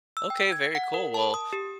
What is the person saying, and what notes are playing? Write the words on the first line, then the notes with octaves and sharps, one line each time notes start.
Okay, very cool. Well,
E6
G5
G#6
F#5
A#4
A5
D#6
G4